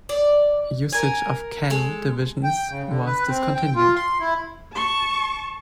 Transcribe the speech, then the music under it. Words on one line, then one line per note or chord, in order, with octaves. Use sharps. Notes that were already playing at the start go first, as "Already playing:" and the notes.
Usage of "Ken" divisions was discontinued.
D5
A#4 G#5
G#3 A4
G5
C#3
D3
B4
C4
G5
F4
C6
E4
A5 C#6